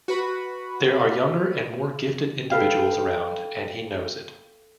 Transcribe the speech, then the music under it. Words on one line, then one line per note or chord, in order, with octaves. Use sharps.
There are younger and more gifted individuals around and he knows it.
F#4 B4 B5
A4 B4 F5 G5